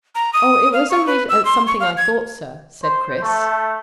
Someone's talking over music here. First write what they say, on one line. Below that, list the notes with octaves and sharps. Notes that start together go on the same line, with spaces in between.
"Oh, it was only at something I thought, sir," said Chris.
A#5
D#6
F5
C#6
B4
E6
C6
C#6
F5
G#6
C5
A3